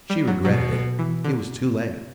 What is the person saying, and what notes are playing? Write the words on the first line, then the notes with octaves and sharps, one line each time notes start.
She regretted it. It was too late.
G3
F#3
B2 F#3
E3
D3